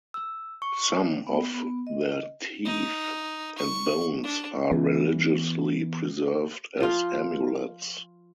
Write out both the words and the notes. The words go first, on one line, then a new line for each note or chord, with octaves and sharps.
Some of their teeth and bones are religiously preserved as amulets.
E6
C#6
B3
B3
D#5
D#4
C#6
D4
E3 B3
F3 F4